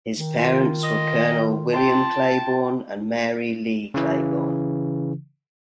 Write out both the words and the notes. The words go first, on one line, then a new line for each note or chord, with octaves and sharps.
His parents were Colonel William Claiborne and Mary Leigh Claiborne.
D#3
F4
D#5
G5 A5 C6
C#3 E3